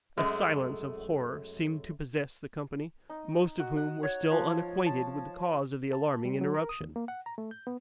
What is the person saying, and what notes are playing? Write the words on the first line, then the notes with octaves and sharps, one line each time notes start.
A silence of horror seemed to possess the company, most of whom were still unacquainted with the cause of the alarming interruption.
F#2 G#3 A3
D#4
F#4
F#5
C#5
F3
A5
A5
G3
F#3
A#4
D#6
D#2
A#3
F#5
A#5
A3
G6
B3